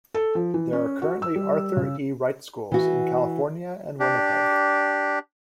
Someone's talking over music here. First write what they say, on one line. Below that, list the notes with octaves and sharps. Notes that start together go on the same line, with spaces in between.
There are currently Arthur E. Wright schools in California and Winnipeg.
A4
F3
E3
C#4
F#4
E6
G3
C#3
E3 F#4
D4 G4